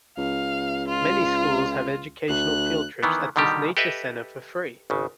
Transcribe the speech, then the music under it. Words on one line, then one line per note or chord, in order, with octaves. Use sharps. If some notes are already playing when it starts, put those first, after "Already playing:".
Many schools have educational field trips at this nature center for free.
C#2 F5
F4
D2 F#6
D#3 E3 B3
B2 D3 D#3 G3 G4
G4 A4 B4 D#5 E5
G#1 C#3